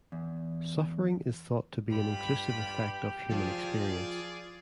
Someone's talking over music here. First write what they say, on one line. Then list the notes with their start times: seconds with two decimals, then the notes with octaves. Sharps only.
Suffering is thought to be an inclusive effect of human experience.
0.12 E2
1.91 G2 F4 G4 B5
3.31 F3 F4 G#4 D5